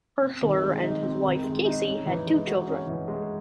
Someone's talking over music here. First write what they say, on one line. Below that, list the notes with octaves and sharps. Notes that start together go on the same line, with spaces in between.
Herschler and his wife, Casey, had two children.
C4
D#3
G#3
D#4
C4
D#3
G#3
D#4
C#4
E3
G#3
F#4
C#4
E3
G#3